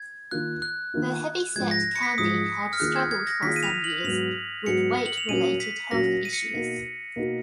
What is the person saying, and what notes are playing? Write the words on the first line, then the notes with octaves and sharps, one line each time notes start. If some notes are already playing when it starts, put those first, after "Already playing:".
The heavyset Candy had struggled for some years with weight-related health issues.
Already playing: G#6
D#3 A#3 F4 F#6
F#6
D#3 A#3 F4
G#2 F3 G#3 G#6
A#6
C#7
B6
G#2 F3 G#3 D#6
F6
D#3 A#3 F4 G#4 F#6
G#6
G#6
A#6
D#3 A#3 F4 G#4 B6
D#7
F7
F#7
G#2 F#3 B3 F#4 F7
G#2 F#3 B3 F#4 C#7
F#7
F7
A#2 F#3 C#4 F#4 A#4 D#7
B6
A#2 F#3 C#4 F#4 A#4 A#6
D#7
C#7
B2 A#3 D#4 F#4 A#4
B2 A#3 D#4 F#4 A#4